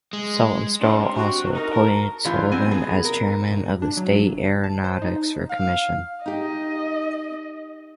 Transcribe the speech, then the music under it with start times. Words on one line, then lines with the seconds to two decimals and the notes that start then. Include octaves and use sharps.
Saltonstall also appointed Sullivan as chairman of the state aeronautics commission.
0.13 G#3
0.81 D4 C5 C6
1.00 C3 G4
1.16 F#4
1.55 D#4 A#4
1.73 A#4 A5
2.24 D3 E3 F3 A3 F4 G#4
2.52 F#3 B3 C4 G#5
2.71 B3 G#4
3.05 A#4
3.52 G2
3.82 D4
3.97 F#3
4.31 G1
4.64 A5
4.84 C5
5.02 D#4
5.49 F5
6.26 D#4 G4 D#5